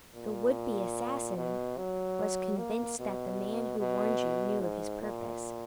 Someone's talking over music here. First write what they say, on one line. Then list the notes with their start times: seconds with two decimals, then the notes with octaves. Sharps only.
The would-be assassin was convinced that the man who warned you knew of his purpose.
0.15 A#2
1.37 B2
1.78 F#3
2.58 A#3
2.99 B2
3.80 B2
4.60 G#2
5.01 A#2